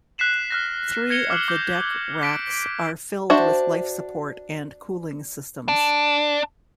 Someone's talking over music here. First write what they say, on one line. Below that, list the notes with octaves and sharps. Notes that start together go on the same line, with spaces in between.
Three of the deck racks are filled with life support and cooling systems.
F#6 B6 C7 E7 F#7
F6 F#6 A#6
G#6 A#6 C#7 F7 G7
D6 F6 F#6 C7 F#7
D6 G6
D6 B6 D7
D4 F#4 C5 E5
D4